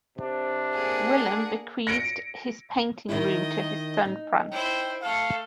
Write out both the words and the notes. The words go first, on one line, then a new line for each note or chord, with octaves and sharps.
Willem bequeathed his painting-room to his son Frans.
C3 D4
A#3 G#4 F#5
A#6 C#7 D7
D#3 E4 D#5
D#4
E4 C5 G5
A3 A4 F5